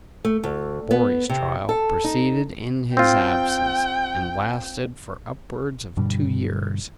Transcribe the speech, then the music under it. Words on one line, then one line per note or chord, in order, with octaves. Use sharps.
Borri's trial proceeded in his absence, and lasted for upwards of two years.
A3
D2
B3
C3
A4
D#4
C4 F4 G5
G2 B2 D3 G3